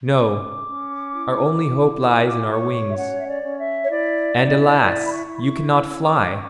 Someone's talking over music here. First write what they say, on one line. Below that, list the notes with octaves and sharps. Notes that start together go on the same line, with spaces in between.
No, our only hope lies in our wings--and, alas! you cannot fly!'
C#4 D6
C#4
E4
E4
F#4 E6
D6
C#5 C#6
C#6
E5
C#4 F#5
E5
D5
C#4
E5
C#5
E4 D5
E4
E4 D5
B5
C#6
E4
B5
C#6
C#4 E6
D6
C#4
C#6